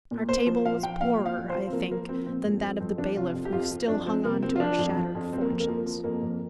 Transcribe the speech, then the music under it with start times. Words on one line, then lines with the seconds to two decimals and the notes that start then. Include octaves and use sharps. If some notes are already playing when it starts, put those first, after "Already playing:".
Our table was poorer, I think, than that of the bailiff who still hung on to our shattered fortunes.
0.11 A#2
0.29 A#2 C5
0.47 F3
0.65 F3 F5
0.83 F3 G5
1.01 A#2 F5
1.19 F3
1.26 F5
1.37 F3
1.49 C5
1.55 F3
1.68 C4
1.73 F3 A#3
1.91 F3 A#3
2.09 F3 C4
2.27 A#2 C4
2.45 F2
2.62 F3 C4
2.80 F2 C4
2.98 F3 D4
3.17 C3 F4
3.34 F2
3.45 G4
3.52 F2 F4
3.71 F3
3.88 F2 D4
4.06 F3 C4
4.25 C3 A#3
4.43 F3 C4
4.56 F4
4.60 F3 D4
4.79 F2
4.96 F3
5.15 F2
5.33 F3 C4
5.41 A#3
5.51 F2
5.60 A#3
5.68 F3
5.86 F3
6.04 F2 A#3
6.22 F2